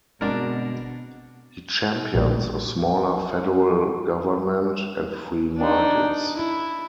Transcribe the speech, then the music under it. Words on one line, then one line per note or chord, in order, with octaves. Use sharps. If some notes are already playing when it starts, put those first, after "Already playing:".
He champions a smaller federal government and free markets.
G1 B2 G#3 C4 D4 F#4 A#4
A#1 A#2 G3
D4 D#4
E4